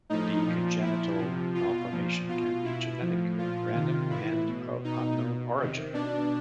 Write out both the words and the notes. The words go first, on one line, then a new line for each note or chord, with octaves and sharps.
The congenital malformation can be genetic random and of unknown origin.
A2 F3 D#4
A#2 F3
A#2 F3 E4
C3 F3
B2 F4
A#2 F3
B2 F4
B2 E4
A2 F3
A#2 F3 F4
C3 D#3 F4
A2 E3 E4
B2
B2 D#4
B2
C3 D#3
B2 D4